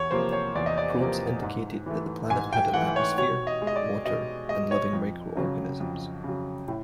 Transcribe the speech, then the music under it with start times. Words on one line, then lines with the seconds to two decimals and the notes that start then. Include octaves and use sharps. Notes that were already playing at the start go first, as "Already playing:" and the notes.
Probes indicated that the planet had an atmosphere, water and living micro organisms.
Already playing: E2 C#5
0.11 C3 F3 A#3 C5
0.32 C#5
0.55 E2 D5
0.66 D#5
0.78 D5
0.99 C3 F3 A#3
1.42 G#2
1.86 E3 A3
2.30 G#2 G#5
2.53 G5
2.74 E3 A3 F#5
2.96 C#5
3.18 B2 C#5
3.47 D#5
3.62 G#3
3.67 D#5
3.76 D5
4.05 B2 D#5
4.49 G#3 D#5
4.71 C#5
4.93 F2
5.37 C#3 F#3
5.80 F2
6.24 C#3 F#3
6.68 A2